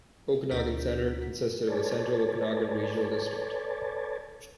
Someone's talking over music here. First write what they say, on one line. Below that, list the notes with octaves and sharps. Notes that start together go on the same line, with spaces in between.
Okanagan Centre consisted of the Central Okanagan Regional District.
D2 D4 A#4 F#5 G6 B6
A4 B4 C#5 D5 G#5 A5